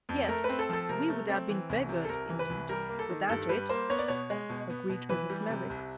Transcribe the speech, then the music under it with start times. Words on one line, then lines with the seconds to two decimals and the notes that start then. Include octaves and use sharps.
"Yes; we would have been beggared, indeed, without it," agreed Mrs. Merrick.
0.09 F2
0.28 A3 A#4
0.44 C4 B4
0.59 A4
0.69 F3 A4
0.89 C3 A#4
1.09 A3
1.29 C4
1.49 E3
1.69 C2
1.89 C3
2.04 A4
2.09 C2 A#4
2.30 E3
2.39 B4
2.50 C2
2.69 G3 A#4
2.89 A#3
2.99 A4
3.09 D#3
3.29 G2 A4
3.49 G3 B4
3.69 A#3 C5
3.90 B3 C#5
3.99 D5
4.08 B2 C#5
4.30 G#3
4.49 B2
4.70 B3
4.89 B2
5.09 E3 B4
5.30 G3
5.50 C3
5.70 C2